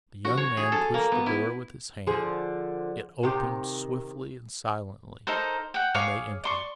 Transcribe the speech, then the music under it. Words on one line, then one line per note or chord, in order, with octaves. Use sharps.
The young man pushed the door with his hand. It opened swiftly and silently, and they entered.
F#4
C#5
G#4
A4
A#3
B3
E4
D3 F3 G#4
C3 D#3 G4
D#4 A4 A#4 C5
F#5 G5
G#4 C#5 F5 D6
D5 C6 C#6